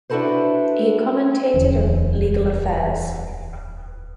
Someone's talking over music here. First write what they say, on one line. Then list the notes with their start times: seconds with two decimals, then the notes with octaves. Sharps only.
He commentated of legal affairs.
0.10 D4 E4 F#4 A4 B4 C5
1.54 D1 E2